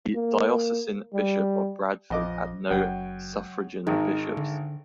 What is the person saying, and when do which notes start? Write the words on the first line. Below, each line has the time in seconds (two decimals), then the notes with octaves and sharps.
The diocesan Bishop of Bradford had no suffragan bishops.
0.15 A#3
1.14 G3
2.10 A#1 F2 D#5 D6
2.71 F#1 F#2 G5
3.87 G#1 D#3 G#3 D#4
4.37 D3